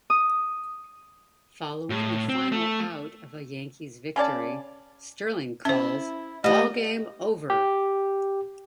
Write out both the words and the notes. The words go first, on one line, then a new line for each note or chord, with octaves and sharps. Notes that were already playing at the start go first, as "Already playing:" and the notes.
Following the final out of a Yankees victory, Sterling calls Ballgame over!
D#6
A2
C4
A3
C#3 C#4 D5 A5
C#4 E4 C5
G3 A3 B3 D#5
G4